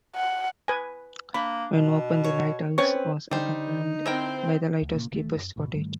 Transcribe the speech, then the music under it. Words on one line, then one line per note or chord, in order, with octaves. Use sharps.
When opened, the lighthouse was accompanied by the lighthouse keeper's cottage.
F#5
B4 G#5
A#3 D4 B5
B2
C#5
C4 C#4 B4 C#5 C#6
D3 G3 D#4 C5
C4 E4 A#4 C5 G5
D2
A#2 C#3 A#3
E1 D#3 E3 A3
F#2
D2 G2 B2
G#2 D#3 G3 A3